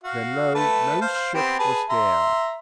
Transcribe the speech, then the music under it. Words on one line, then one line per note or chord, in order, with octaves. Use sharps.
When lo! no ship was there!
F#4 F5
A3 B4 A5
C5 F5
B3 C4 G4
G#4 B4 A5
E5 A#5 C6